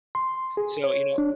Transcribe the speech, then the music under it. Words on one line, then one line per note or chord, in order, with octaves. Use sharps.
So, you know
C6
G#4
C#5
D4